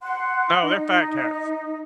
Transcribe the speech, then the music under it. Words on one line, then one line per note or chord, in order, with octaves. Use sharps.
No, they're fat cats.
F#5 C6 F#6
D#4